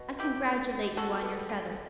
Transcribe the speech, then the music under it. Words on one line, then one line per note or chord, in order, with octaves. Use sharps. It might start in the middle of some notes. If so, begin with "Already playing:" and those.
I congratulate you on your feathers.
Already playing: B2
B3 E4 G4
D3
D3
F#3 F#4 A4
B3
D3